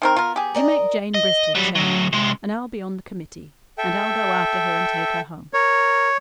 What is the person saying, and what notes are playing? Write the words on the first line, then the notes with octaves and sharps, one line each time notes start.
You make Jane Bristol chairman, and I'll be on the committee; and I'll go after her and take her home.
D#3 C4 A#4
B3 F4 A#4
G4 G#4
A#4 D5 D#5
D#5
F#3 G3
D2 F#3
C3 G#3
A4 E5 G5
A#4 C#5